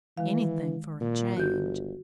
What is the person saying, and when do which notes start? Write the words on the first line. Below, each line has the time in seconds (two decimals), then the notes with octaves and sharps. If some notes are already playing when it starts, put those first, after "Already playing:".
Anything for a change.
0.17 D#3 E3 G#3 F5
1.00 A#2
1.37 G1 F#4 G6